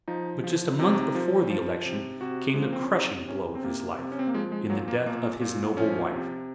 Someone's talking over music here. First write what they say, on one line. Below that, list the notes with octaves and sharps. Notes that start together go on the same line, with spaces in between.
But just a month before the election came the crushing blow of his life, in the death of his noble wife.
F3 D#4
F3
C3 D#4
F3
F3
C3
C3 F#4
F3 G#3
A#3
C4
C#4
C3 D#4
C3 C#4
C4
C3 A#3
C3
C#4
C4
A#3
F3 G#3
G#3
A#2 F#3
A#3
A#2 A#3
A#2
F3 C#4
C3